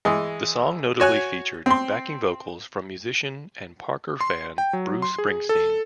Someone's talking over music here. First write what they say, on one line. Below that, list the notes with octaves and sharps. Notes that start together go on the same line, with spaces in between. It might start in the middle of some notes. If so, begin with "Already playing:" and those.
The song notably featured backing vocals from musician and Parker fan Bruce Springsteen.
E3 G#3
F#4 C#5 G#5 F#6
C4 C6
C6
G5
F#3
C6
G#4
A4